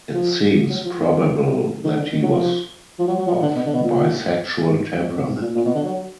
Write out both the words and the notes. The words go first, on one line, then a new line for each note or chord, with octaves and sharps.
It seems probable that he was of bisexual temperament.
F3
F#3
F3
D#3
D#3
D3
D#3
F#3
F3
F3
F#3
F#3
F3
D3
B2
D3
B2
A#2
G#2
F#2
F2
F#2
G#2
A#2
A#2
B2
D3
F#3